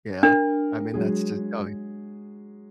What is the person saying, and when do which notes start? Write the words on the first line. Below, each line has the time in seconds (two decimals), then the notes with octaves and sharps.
Yeah, I mean, that's just oh y
0.23 D4 A#4
0.94 F#3 G#3 G#4